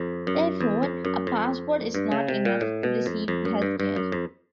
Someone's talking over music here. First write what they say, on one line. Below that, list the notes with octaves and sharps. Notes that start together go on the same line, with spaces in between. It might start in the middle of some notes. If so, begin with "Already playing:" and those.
Therefore, a passport is not enough to receive health care.
Already playing: F2
F#2
E2
F2
F#2
F2
G2
C#3
C3
A#2
A2
B2
F2
F2
F#2
G2
G2
F#2
F2